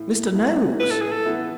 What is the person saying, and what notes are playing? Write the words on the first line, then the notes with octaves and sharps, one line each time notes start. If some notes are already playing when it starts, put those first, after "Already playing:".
Mr. Noaks!
Already playing: A2 E3
E3 B3 E4
A2 B4
A4
G#4
A4
E3 B3 E4